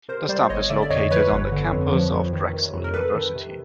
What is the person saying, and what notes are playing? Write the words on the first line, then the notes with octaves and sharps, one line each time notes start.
The stop is located on the campus of Drexel University.
C3 A#4 C5
G3 C5 D5
G1 C#5 D#5
D3 D5 E5
D5
F2 C#5 D#5
F3 B4 C#5
G1
D3
F2
F3
F2
D#3
C3
F2
A#4
F2 A4 B4
D#3
C3